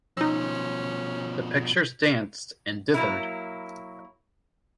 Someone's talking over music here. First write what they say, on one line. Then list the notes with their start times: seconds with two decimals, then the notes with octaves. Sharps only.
The pictures danced and dithered.
0.17 B2 F3 C#4 D#4 E6
2.94 F#3 A#3 E4